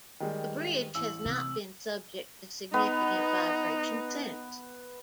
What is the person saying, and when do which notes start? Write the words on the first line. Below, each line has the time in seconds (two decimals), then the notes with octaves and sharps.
The bridge has not been subject to significant vibration since.
0.20 D#3 G3 G#3
0.95 A1 E6
1.25 C3
2.74 B3 D#4